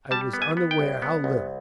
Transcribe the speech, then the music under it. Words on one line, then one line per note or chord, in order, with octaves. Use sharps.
I was unaware how little.
G3 A5
B3
G#5
B3
G5
C2
B3
C2